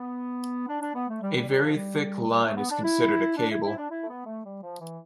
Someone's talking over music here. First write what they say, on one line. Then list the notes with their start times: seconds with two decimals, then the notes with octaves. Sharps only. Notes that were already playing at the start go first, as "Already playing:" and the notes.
A very thick line is considered a cable.
Already playing: B3
0.67 D4
0.81 D4
0.94 B3
1.08 A3
1.21 G3
1.34 G3
1.48 G3
1.61 F3
1.75 G3
2.28 G3
2.42 A3
2.55 B3
2.69 D4
2.83 E4
3.36 D4
3.50 E4
3.63 E4
3.76 D4
3.89 E4
4.03 A3
4.08 B3
4.25 A3
4.44 G3
4.62 F3
4.80 E3